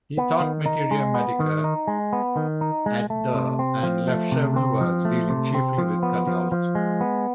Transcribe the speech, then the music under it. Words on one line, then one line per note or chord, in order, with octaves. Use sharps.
He taught "Materia Medica" at the and left several works dealing chiefly with cardiology.
B3
D#3
D#4
G#3
B3
D#3
D#4
G#3
B3
D#3
D#4
G#3
A3
C3
C4
F3
A3
C3
C4
F3
A3
C3
C4
F3
B3
F3
F3
G#3
B3